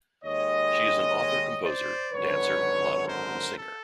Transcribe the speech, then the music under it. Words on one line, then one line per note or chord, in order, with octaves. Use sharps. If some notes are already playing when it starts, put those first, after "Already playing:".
She is an author-composer, dancer, model and singer.
D#2 D#3 G#3 C#5 D#5
C5 D5
G#1 F#2 D3 B4 C#5
A#4 C5
A4